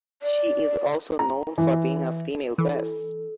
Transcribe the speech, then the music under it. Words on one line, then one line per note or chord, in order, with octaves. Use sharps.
She is also known for being a female bass.
D5
A#5
E3
E3 A4